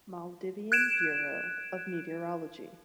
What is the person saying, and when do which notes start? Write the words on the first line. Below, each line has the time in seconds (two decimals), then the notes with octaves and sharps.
Maldivian Bureau of Meteorology.
0.72 F#6 G#6 D7 E7